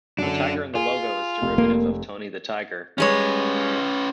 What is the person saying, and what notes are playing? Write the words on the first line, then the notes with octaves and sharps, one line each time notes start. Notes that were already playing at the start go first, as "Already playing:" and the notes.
The tiger in the logo is derivative of Tony the Tiger.
F#2 D4 A4
F4 G#4
F1
A#3
G3 G#3 C#4 B4 C#5